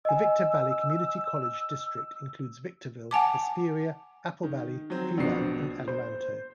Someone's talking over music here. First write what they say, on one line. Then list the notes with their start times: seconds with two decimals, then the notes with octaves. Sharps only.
The Victor Valley Community College district includes Victorville, Hesperia, Apple Valley, Phelan and Adelanto.
0.05 D#5 G#5 E6
3.11 F#5 G#5 A5 D6
4.43 D#3
4.90 F#3 C4
5.18 A#1 B2 D4 C7
5.88 C5